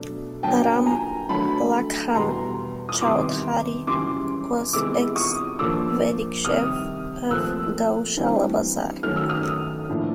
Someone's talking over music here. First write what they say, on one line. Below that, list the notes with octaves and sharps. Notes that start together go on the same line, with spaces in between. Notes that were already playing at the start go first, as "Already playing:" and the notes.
Ram Lakhan Chaudhary was ex-vdc chief of Gaushala Bazar.
Already playing: B2 F#3 A3 D4
D3 F#3 A#3 G5 A5
G#5 A#5
G2 D3 F#3 A3 A5 B5
E2 B2 G3 A#5 C6
D#6
E2 C3 D#3 G3 C6 D6
F#2 C#3 E3 G3 C6 D6
C3 E3 G#3 B3 D6 E6
C#6 D#6
A#2 F3 A#3 D4 D6 E6
C3 D#3 G3 D#6 F6
A#2 F3 A3 C4 E6 F#6
G2 E3 G3 C4
F#2 D#3 F#3 A3 F6
E6
D#6 F6
A2 F3 A#3 D4